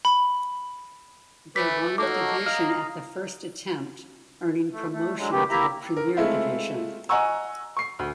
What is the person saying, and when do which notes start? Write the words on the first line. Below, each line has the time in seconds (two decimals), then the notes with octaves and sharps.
They won the division at the first attempt, earning promotion to the Premier Division.
0.05 B5
1.56 E3 A3 B4 D6 B6
1.98 A#3 D#4 F#4 A4 C#5 D6
2.46 D#5 F5 A#5 F6
4.72 A3
4.92 A3
5.17 D3 F#3 G#3
5.31 D#3 F#3 A3 B3 G4
5.50 A#3 E4 G4 E5 A#5
5.97 A#4
6.16 G#3 A3 C4 E4 F4
7.09 D#5 F#5 G#5 A#5 C#6 E6
7.77 C#6 C7
7.99 D2